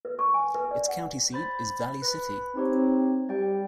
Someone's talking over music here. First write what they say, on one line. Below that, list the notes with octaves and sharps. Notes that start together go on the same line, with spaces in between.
Its county seat is Valley City.
B4
C#6
G#5
B4
D5
F#5
C5 B5 A6
B4 B5
C4 D#4 G4 C#5
G3 D5 G5